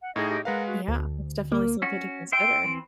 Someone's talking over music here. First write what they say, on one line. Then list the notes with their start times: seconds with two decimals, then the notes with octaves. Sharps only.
Yeah. It's definitely something to consider.
0.03 F#5
0.16 A2 D#4 G#4 D#5 G#6
0.29 G4 D#5
0.45 G#3 A#4 B4 F5 F#5
0.66 F#4
0.88 D2
1.52 A#3
1.82 C#4 F#4
2.32 C5 E5 G5 D7
2.64 E3 C4